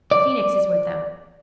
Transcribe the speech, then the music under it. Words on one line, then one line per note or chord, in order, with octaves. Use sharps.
The Phoenix is with them.'
D5